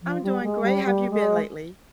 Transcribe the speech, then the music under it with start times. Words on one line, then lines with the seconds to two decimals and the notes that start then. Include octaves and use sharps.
I'm doing great. How've you been lately?
0.03 F3
0.23 G3
0.43 G#3
0.63 G3
0.84 G3
1.10 G#3